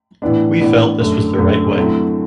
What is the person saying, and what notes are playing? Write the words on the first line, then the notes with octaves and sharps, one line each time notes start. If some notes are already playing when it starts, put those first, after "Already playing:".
We felt this was the right way.
A2 E3 B3 D4
A2 E3 B3 D4
F#2 D3 A3
F#2 D3 A3
D3 F#3 A3 C4 E4